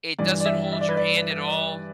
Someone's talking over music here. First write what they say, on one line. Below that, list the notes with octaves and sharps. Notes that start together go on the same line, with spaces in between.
It doesn't hold your hand at all.
G2 E3 D5
D5
E5
E5
D5
B4
D5